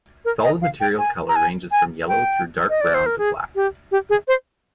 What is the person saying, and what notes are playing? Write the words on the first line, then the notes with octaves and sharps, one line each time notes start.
Solid material color ranges from yellow through dark-brown to black.
A#4
D#5
F5
G5
G#5
A#5
G#5
G#5
G5
D#5
D5
C5
A#4
G#4
G4
G4
G#4
C5